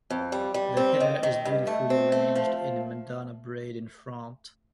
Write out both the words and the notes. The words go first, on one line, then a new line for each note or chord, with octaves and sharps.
The hair is beautifully arranged in a Madonna braid in front.
F2
G3
G3
C4
D#3
D#3
G2
A3
C4
A3
F3